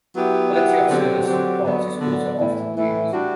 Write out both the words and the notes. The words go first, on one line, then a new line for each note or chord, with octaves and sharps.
Quality of service class is also often used.
F#3 B3 E4 G4
F#3 B3 E4 G4
D3 F#3 C4 G4
D3 F#3 C4 G4
D3 F#3 B3
D3 F#3 B3
A2 E3 A3 E4
A2 E3 A3 E4
G3 D4 F#4